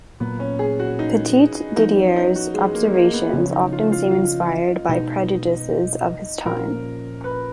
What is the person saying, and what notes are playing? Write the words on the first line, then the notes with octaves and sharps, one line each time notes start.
Petit-Didier's observations often seem inspired by prejudices of his time.
A#2 F#3 A#3 B3
C#4
G#4
F#4
D#4
F3 B3 D#4
C#4
D#4
F#4
G#3
A#3
A#3
B3
C#3 F3 B3 C#4
D#4
F4
F4
F4
B2 G#3 B3 D#4
A#2 F3 A#3 C#4 A#4
B4